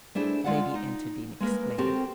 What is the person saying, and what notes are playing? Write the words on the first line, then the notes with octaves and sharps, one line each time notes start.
Lady Enterdean exclaimed.
A3 D4 E4 G#4 C5
G#3 F4 D5 F5 F#5
D#4
G#3 A#3 A#4 B4
C4 F#4 G4 A4 A#4